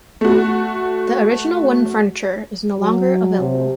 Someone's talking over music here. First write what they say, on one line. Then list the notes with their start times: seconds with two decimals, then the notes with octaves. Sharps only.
The original wooden furniture is no longer available.
0.21 A3 F#4
2.79 F#3
3.39 C3